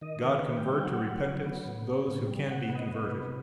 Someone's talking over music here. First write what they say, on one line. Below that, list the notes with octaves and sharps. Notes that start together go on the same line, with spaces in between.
God convert to repentance those who can be converted!
D#3 D#5
D#3
B4
D#3
G5
G3
F#3 F#5
F#3
F#3
B3
A2
B3
A2
G3
C3 F#5
B3
D#5
B3
B4
C3